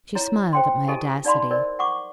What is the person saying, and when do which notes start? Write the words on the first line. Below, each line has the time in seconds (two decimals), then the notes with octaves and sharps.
She smiled at my audacity.
0.15 E4 C#5 A#5
0.53 C5 G5 C6
0.88 E4 G4 A4 D#5 G#5 A5
1.25 D#4 D5 F5 B5 C6
1.51 A#4 C5 D5 D#5
1.79 F#5 C#6 D6